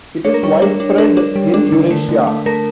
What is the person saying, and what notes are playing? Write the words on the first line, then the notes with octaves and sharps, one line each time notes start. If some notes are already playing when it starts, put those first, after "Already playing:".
It is widespread in Eurasia.
D4 C#5
A#4
G3 C#5
D4 A#4
D4
D4 A#4
D4
G3
D4
D3
A3
D3
A3
A3 A#4